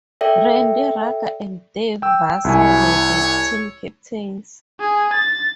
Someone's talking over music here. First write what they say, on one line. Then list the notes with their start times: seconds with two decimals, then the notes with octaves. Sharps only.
Randy Ruger and Dave Vassar were the team captains.
0.21 A4 D5 E5 G5
2.02 G5 E6
2.45 C2 E4 C#5 G#5
4.80 G#4
5.13 A6